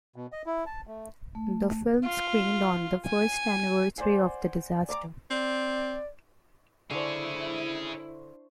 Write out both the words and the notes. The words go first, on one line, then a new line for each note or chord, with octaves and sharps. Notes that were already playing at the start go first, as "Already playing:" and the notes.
The film screened on the first anniversary of the disaster.
B2
D#5
E4
A5
A3
A3
F4
G#5
C5 D5 F#5 G#5
D5 A#5 D6
C4 D5
D3 E4 G#4 C5 C#5 A5 C#6